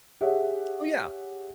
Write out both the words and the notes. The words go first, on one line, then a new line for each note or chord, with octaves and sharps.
Oh, yeah.
G4 G#4 C#5 E5 F#5